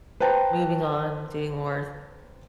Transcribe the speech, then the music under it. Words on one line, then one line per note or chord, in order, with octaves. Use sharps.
moving on, doing more
B4 C5 G5 A5 A#5